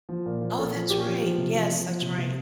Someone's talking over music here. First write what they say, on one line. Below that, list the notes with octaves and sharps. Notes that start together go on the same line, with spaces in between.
Oh, that's right, yes, that's right.
F3
A#2
F3
A#2 A4
F3
A#2 G4
F3
F3
C3
F3
F3
F3
C3
C3